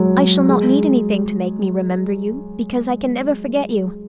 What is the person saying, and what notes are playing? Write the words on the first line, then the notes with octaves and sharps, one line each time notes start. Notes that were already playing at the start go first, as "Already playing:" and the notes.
I shall not need anything to make me remember you because I can never forget you.
Already playing: F#3 G#3
G#3